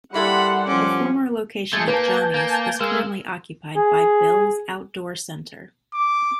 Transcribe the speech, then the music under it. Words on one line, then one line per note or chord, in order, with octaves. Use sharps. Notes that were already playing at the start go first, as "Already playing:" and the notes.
The former location of Johnny's is currently occupied by Bill's Outdoor Center.
G3 A#3 E4 A4 F#5 B5 C6
F3 C#4 D6
G#3 A3 G#5 A5 G6
A#3 B4
A#3
G#3 A#4 F5 E6
G#4
D6